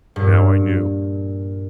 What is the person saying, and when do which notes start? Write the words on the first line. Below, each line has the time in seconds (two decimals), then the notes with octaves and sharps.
Now I knew!
0.16 G2 A#2